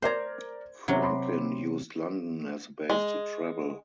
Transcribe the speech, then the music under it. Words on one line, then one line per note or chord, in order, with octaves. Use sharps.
Franklin used London as a base to travel.
A#4 C5 D5 A#5 G#6
C3 F#3 C#4
B5 C6 D6
G#3